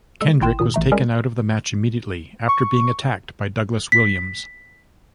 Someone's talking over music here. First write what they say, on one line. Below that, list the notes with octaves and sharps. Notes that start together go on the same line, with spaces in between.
Kendrick was taken out of the match immediately, after being attacked by Douglas Williams.
G#3 A4
G#1 E4 G5 C6 E7
A#2 D#3 D#6
A1 A3 A#5
G3 G#3 C#4 G#4 A#4
C#6
B6